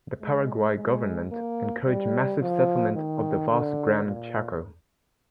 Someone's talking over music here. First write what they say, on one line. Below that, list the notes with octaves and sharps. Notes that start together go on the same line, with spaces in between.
The Paraguay government encouraged massive settlement of the vast Gran Chaco.
G#3
G#3
A#3
G3
F3
D#3
D3
A#2